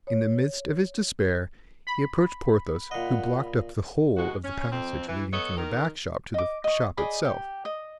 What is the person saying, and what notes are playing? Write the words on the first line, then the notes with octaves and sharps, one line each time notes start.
In the midst of his despair, he approached Porthos, who blocked up the whole of the passage leading from the back shop to the shop itself.
C#5
B5
A#2 D#5 F#5
D#2 G#3 F#4
C#4
F2 C4
E3
B3 A4 C#5 D#5
D#3 A#4
D#5 D6
D#5 C#6
G#4 D5 D#5 B5
G4
D#5